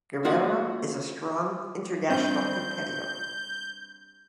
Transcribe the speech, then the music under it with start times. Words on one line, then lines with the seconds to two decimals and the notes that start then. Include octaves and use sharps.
Guerrero is a strong international competitor.
0.24 A#3 F4 F#4 D#5 F5 F#5
2.10 G2 C4 G6